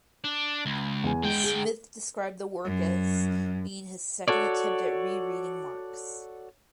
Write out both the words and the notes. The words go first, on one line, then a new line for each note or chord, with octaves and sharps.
Smith described the work as being his second attempt at "rereading" Marx.
D4
C#2
E2 G#5
D3 G#3 G5
G#4
F#2
F#4 A4 C#5 D5